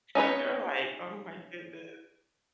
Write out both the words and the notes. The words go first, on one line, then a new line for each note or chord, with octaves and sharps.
And they're like, "Oh my goodness,"
C#4 D#4 B4 C#5